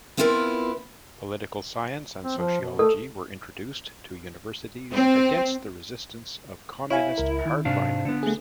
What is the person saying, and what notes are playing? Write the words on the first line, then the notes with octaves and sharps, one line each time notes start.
Political science and sociology were introduced to universities against the resistance of communist hardliners.
B3 C4 E4 F4 A#4 B4
C4
F3
B2
A3 A4
C4
E4 C#5 F5 G#5
C#2 A#4
D#3
G#2 C3 D4 F5
D3 B3
A3 G#4